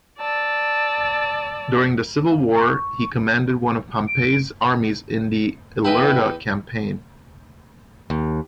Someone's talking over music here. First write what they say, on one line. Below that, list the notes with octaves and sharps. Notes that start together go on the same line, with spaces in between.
During the civil war he commanded one of Pompey's armies in the Ilerda campaign.
D5 A5 E6
F5
C#6
D7
E2 E4 B4 D#5 G5
D#2